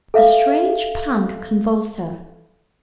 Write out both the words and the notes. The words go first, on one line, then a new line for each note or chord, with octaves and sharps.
A strange pang convulsed her.
A4 E5 F5